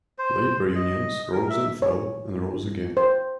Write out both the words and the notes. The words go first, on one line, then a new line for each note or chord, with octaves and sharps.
Labour unions rose and fell and rose again.
C5
D#5
A#4
E5
C#5
C5